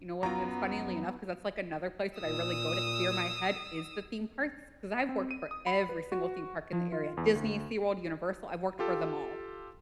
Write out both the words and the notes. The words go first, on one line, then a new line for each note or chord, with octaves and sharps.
You know what, that's funnily enough, 'cause that's like another place that I really go to clear my head is the theme parks, 'cause I've worked for every single theme park in the area, Disney, SeaWorld, Universal, I've worked for them all.
F#2 F#3 B3 F4 A#5
A#2 D#6 E6
C4
D#7
D#6
B5
B4
F#4
F3
F4
E2
D2
F4 G4 A4